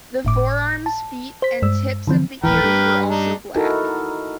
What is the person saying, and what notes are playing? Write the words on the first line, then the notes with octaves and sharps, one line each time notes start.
The forearms, feet, and tips of the ears were also black.
G1 A2 D6
A5
C5 B6
G2 G#3 E6
D3 E3 F3 C4
D#1 A1 E3 A#4 B4 G5
G2
D4 D#4
D#4 E4 F#4 A4 A#4